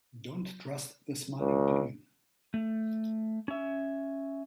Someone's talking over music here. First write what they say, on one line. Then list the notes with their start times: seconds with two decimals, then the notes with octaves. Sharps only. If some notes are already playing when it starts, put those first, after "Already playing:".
Don't trust the smiling penguin.
1.40 C#2
2.54 A3
3.48 C#4 E5